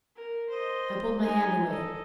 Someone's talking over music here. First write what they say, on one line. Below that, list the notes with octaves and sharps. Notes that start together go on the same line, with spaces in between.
I pulled my hand away.
A#4
C5 D#5
D#4 G#5
A4 D#5